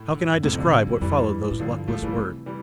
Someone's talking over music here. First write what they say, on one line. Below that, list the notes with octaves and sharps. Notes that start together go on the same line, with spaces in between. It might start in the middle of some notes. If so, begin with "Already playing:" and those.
How can I describe what followed those luckless words?
Already playing: A2
E3
D3
G2
F2
E2 A2 C3
F2
B2 D3 F3
A2
G2
F2 E3 G3
A2
G2 D3 F3
A2 F3 A3
G2 E3 G3
C3
E3 G3